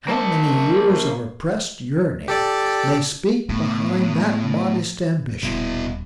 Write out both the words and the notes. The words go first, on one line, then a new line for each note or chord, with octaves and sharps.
How many years of repressed yearning may speak behind that modest ambition!
A#3 A5
G4 A4 D5
A2 B3
D#1 B2 E4